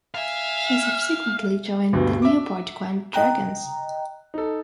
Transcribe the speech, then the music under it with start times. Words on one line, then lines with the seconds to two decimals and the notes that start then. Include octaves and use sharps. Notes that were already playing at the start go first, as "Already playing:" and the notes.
He subsequently joined the Newport Gwent Dragons.
0.14 E5 F5 G#5
1.93 D2 G2 B2
2.22 E5 D6
3.14 D#5 G5 A#5 F#6
4.34 D#4 A4